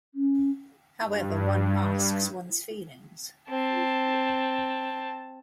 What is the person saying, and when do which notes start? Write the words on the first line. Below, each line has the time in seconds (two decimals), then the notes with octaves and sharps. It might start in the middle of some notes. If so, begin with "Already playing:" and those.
However, one masks one's feelings.
0.15 C#4
1.03 G2
3.49 C4 A5